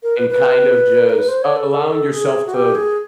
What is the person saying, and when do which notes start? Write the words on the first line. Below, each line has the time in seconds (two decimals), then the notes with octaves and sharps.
and kind of just allowing yourself to
0.03 A#4
0.17 B4
0.30 B4
1.09 A#4
1.18 B4
1.29 C5
1.42 C#5
1.56 A4
1.70 A4
1.81 A#4
1.91 A4
2.12 G#4
2.46 F#4
2.54 G4
2.75 G#4